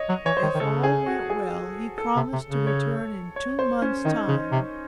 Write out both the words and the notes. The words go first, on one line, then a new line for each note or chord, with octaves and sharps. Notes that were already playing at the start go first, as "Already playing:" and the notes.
If all went well he promised to return in two months' time.
Already playing: C#5 D#5
F#3
E3 C#5
C5
D#3
D#3
C#3 A4
G#4
F#4
G#4
A4
C3
C3
C#3
C#5
C#5
C5
C#4
D#3 D#4
C#3
C3